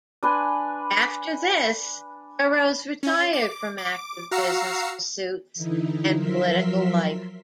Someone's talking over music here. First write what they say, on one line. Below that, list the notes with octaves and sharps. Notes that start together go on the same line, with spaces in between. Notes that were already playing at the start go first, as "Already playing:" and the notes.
After this, Burrows retired from active business pursuits and political life.
D4 B4 G#5 C6
C#4
D6
D6
F#4 F5 A#5 E6 C7 C#7
D3 E3 D#4 E4
F3 F#3 A#4 E5 C6 B6